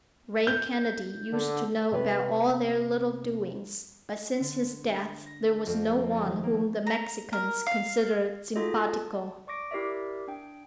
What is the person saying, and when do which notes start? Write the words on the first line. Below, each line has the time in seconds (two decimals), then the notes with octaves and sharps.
Ray Kennedy used to know about all their little doings, but since his death there was no one whom the Mexicans considered SIMPATICO.
0.47 G6
1.32 D3
1.92 C3 B4
4.40 D3
5.26 A#6
5.67 F2
6.10 A6
6.25 D#3
6.44 A#3
6.87 A#5
7.33 A#4
7.66 F5
8.56 D#4 F4 F#4 G#4 A4 D#5
8.87 A5
9.47 D5 C#6 D6 A#6 D7
9.71 E4 G4 A#4 D5 E5
10.28 D4 G5